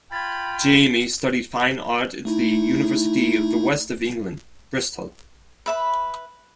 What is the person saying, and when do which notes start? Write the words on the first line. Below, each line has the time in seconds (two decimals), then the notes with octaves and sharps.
Jamie studied fine art at the University of the West of England, Bristol.
0.12 F4 G5 B5 G#6 A6
2.25 A3 D#4 E4
5.66 B4 E5 B5